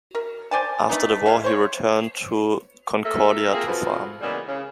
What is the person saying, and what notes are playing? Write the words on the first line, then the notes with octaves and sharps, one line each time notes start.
After the war, he returned to Concordia to farm.
A#4
C5 D5 G#5 A5
A3 B3 D4 D#4
G#3 E5 F5
C5 C#5
A3 A#3 A4 E5
A#3 C4 F4 G4 G#4
F2 B2 F3 B3
C#3 E3 G3 G#3 A#3 B3
C#3